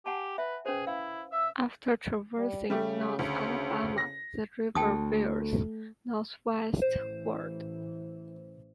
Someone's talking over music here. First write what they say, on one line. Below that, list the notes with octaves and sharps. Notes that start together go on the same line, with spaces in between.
After traversing North Alabama, the river veers northwestward.
G4 F#5 G#5 A5
B4 E5
C#4 G#4 B4 C5
E4 F5
E5 E6
G3
C#3 G3 A3 G4
D2
A#6
D2 A3 G5 A5 D#6
A1 E3 C5